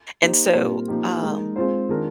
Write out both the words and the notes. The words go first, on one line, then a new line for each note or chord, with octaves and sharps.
and so, um,
A#3 D#4 G4 C5
A#2 G3 C4 F4 A#4
F3 A#3 D#4 G4
G#3 D#4 A#4
G#3 C4 F4 G#4 C5
D#3 G#3 D4 F4 A#4